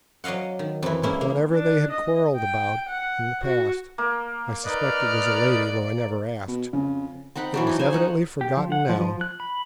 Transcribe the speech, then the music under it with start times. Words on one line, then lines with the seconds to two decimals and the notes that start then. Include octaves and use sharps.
But whatever they had quarrelled about in the past--I suspect it was a lady, though I never asked--it was evidently forgotten now.
0.24 F#3 D5 D#5 F5 F#5
0.59 D#3
0.83 F2 E3
1.03 G#3 A#3 C#4 E4
1.21 A#3
1.52 D4
1.91 D#5
2.37 G5
2.89 F#5
3.44 F#4
3.98 A#3
4.65 D#4 B4 D5 D#5 F6
6.48 B2
6.73 F2 C#3
7.36 C4 D#4 F#5 B5
7.54 E3 F#3 D4
7.67 D4 D#4
7.79 G#4 C5 C#5 G#5
7.93 D#4 F#5
8.41 G4
8.57 F3
8.72 F#5
8.89 F3
9.01 F3
9.21 F#6
9.40 B5